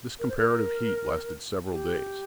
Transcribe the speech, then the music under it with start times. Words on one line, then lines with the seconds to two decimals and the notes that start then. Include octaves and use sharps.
This comparative heat lasted several days.
0.19 A#4
0.29 C5
0.38 A#4
1.71 G4